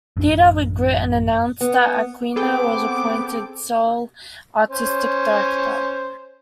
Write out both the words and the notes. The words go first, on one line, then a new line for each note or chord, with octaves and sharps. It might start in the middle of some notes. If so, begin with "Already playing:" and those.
Theatre with Grit and announced that Aquino was appointed sole artistic director.
A1 F#2 C#4 D4
B3
B3 C4 G#4 A4 G5 D6
C#4 C5